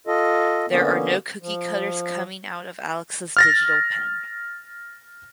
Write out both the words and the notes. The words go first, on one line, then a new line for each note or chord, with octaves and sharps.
There are no cookie cutters coming out of Alex’s digital pen!
F4 A4 D#5
D3 A#3 B3 C#4
F3
F6 A6 A#6